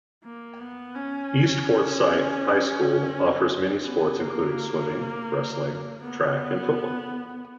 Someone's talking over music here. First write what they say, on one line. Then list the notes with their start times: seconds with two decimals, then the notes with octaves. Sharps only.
East Forsyth High School offers many sports including Swimming, Wrestling, Track, and Football.
0.24 A#3
0.59 B3
0.95 C#4
3.85 B3
4.21 A#3
6.02 B3